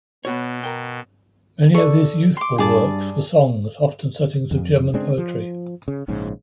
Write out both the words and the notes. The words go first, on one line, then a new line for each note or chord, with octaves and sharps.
Many of his youthful works were songs, often settings of German poetry.
B2 B3 F#4 C#5
A#4 G5
A4 D5 C#6
C6 D6
G2 G#4 D5 A5
F2
C#3 G#3 C4 D4
F3
C#3
A#1 G#2 C#3